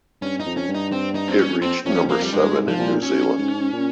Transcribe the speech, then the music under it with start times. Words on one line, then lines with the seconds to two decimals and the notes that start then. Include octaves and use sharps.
It reached number seven in New Zealand.
0.22 G2 C#4
0.40 D#4
0.45 F2
0.57 C#4
0.68 G2
0.74 D#4
0.92 C4
1.15 D#4
1.28 C4
1.39 C#4
1.62 F2 C4
1.86 F2 C#4
2.09 A#3
2.22 G3
2.32 G2 G#3
2.56 G#2
2.68 F3
2.79 A#2
3.03 C#4
3.38 G#2
3.73 A#2